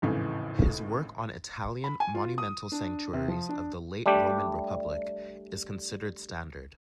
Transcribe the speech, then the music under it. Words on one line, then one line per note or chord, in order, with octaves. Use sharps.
His work on Italian monumental sanctuaries of the late Roman Republic is considered standard.
G#1 F2 A2 C#3 E3
B5
G#5
F4
D#6
D4
C3
F3
D4
G3 A3 D4 G4